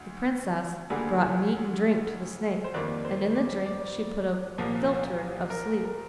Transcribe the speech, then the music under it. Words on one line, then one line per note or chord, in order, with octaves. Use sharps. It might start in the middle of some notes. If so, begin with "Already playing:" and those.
The Princess brought meat and drink to the snake, and in the drink she put a philtre of sleep.
Already playing: D2
D2 D3 G3 A#3 G#4
C5
F2 D#3 G3 A#3 D5
C5
D5
D5
C2 A#2 F3 A#3
A#4
A#4